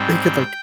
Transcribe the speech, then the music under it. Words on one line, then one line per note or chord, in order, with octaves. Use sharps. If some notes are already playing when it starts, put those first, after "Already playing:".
They could like
Already playing: G#2 G3 C4
G5